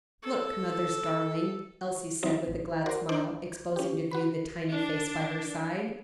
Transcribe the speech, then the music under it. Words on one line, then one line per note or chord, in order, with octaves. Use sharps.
"Look, mother's darling," Elsie said with a glad smile, exposing to view the tiny face by her side.
A4
F#3 C4 D#4 E4
A1
F#4 A#4 C5 D5 F#5
D4 C5 D5
C#4 G4
F#4 B4 B5
D4